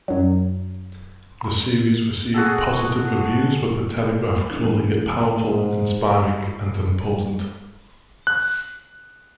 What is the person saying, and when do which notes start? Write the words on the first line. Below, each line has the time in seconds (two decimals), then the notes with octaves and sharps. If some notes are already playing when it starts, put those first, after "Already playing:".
The series received positive reviews, with The Telegraph calling it powerful, inspiring, and important.
0.08 F#2 F#3
2.34 F#4 G#4 A4
4.51 E1
5.47 G#2
8.27 F#6